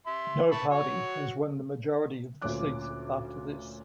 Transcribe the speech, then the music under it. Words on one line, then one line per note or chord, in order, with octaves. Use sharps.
No party has won the majority of the seats after this.
E5 C6
A5 B5 C#6
F#4 C#5
D2 A#2 C#4 F4 D6 F#6